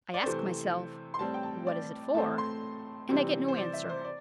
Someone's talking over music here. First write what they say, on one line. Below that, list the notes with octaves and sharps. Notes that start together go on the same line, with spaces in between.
I ask myself, What is it for? and I get no answer.
D5
C3 E3 A3 C4 C5
C6
A2 G3 C4 A5
G5
A5
D5
A2 A3 C4 A5
C6
C3 E3 G3 C4
C5
D5
E5
C5
D5